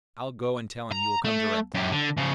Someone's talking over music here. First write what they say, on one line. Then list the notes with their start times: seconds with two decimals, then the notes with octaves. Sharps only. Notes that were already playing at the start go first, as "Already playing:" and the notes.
"I'll go and tell him you will come directly."
0.92 A#5
1.25 A3
1.74 F#2 G4
1.92 D3
2.17 C#3 F3